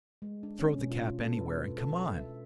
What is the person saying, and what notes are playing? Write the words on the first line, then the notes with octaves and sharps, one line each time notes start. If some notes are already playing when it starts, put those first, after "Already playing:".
"Throw the cap anywhere and come on!"
G#3
D4
C#4
B2
F4
F4
A4
B4
A4
E5